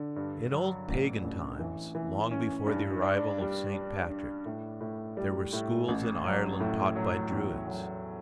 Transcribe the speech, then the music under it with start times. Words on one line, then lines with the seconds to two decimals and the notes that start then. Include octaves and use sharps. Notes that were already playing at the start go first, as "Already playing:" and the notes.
In old pagan times, long before the arrival of St. Patrick, there were schools in Ireland taught by druids.
Already playing: D3
0.16 G2
0.52 F#3
0.88 A1
1.24 A1
1.59 E3
1.95 E3
2.31 C#4
2.67 G2
3.02 D4
3.38 G3
3.74 D4
4.10 D4
4.46 A2
4.81 A2
5.17 G3
5.53 A2
5.88 A1
6.24 F#3
6.60 A2
6.96 F#3
7.32 E2
7.67 F#3